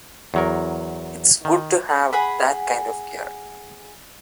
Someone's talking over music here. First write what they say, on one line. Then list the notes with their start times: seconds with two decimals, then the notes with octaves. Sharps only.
It's good to have that kind of gear.
0.34 E2 F#3 A#4
1.45 D#3
2.13 G#4 F#5 B5